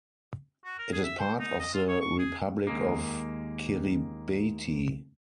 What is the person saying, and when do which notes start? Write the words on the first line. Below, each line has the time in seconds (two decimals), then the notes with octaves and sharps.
It is part of the Republic of Kiribati.
0.64 F#4
0.78 A#4
0.93 G#4
1.04 E5
1.19 C5
1.40 D#4
1.59 D#5
1.74 F4
1.88 C#5
2.01 C#6
2.19 G#4
2.67 D#2 G#3 A#3